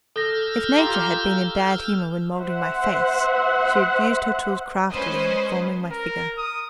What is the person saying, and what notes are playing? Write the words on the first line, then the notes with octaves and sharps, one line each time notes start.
If Nature had been in bad humour when moulding my face, she had used her tools craftily in forming my figure.
A4 E6 F6 G6 A#6
F4 G4 A#5
C5 E5 F#5
G#3 C#4 B4 C5 D#5
A#4
D#6